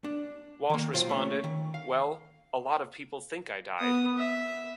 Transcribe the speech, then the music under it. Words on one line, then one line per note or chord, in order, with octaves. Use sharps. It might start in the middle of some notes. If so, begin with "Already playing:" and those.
Walsh responded: Well, a lot of people think I died.
D4
D#3 A#3
B1 F4 C5 F5 G5
A3 C#4
D#3
F5
B3 D#6
E5